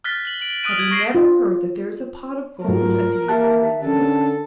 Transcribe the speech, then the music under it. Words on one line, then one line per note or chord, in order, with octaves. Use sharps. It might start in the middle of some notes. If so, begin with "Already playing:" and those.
"Have you never heard that there is a pot of gold at the end of the rainbow?..."
F6 F#6 A6 B6 G7
F#7 G7
D7 F#7 G7
D#6 F6 F#6 D7 D#7
F6 G#6 F#7
C#6 G#6 A#6 C7 D7 G7
F4
G#2 F#3 A3 F4 A#4
A#3 G4 E5 A5 F#6
D3 C#4 A4